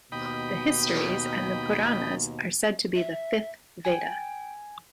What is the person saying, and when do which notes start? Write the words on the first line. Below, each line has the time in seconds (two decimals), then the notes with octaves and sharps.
The histories and the Puranas are said to be the fifth Veda.
0.12 D#2 B2 D#5 G5 B5
2.95 E5
3.85 G5 G#5